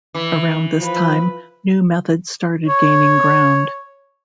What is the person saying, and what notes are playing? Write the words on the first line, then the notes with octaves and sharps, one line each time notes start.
Around this time, new methods started gaining ground.
E3
F3 B4 B5
C#5